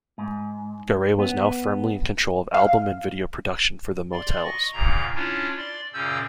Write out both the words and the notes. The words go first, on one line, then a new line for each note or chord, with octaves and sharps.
Garay was now firmly in control of album and video production for The Motels.
G#2
B3
F5
D5 C6
D#5 C#6
E2 A#2 C#3 A#5
C#4 D4 E4 F4 C#5
D5 C6
F#2 A#2 C#3 C#4 E6 G6